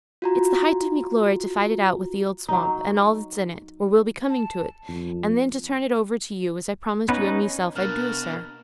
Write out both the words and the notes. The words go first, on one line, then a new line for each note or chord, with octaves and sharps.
It's the height of me glory to fight it out with the old swamp, and all that's in it, or will be coming to it, and then to turn it over to you as I promised you and meself I'd do, sir.
F4 F#4 A#5
F#3 D#4
A5
F2
B3 C#4 D#4 B4
B2 A#3 D4 F6 F#6 A6